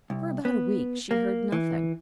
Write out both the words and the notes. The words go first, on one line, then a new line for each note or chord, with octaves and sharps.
For about a week she heard nothing.
C2
B3
A#3
E3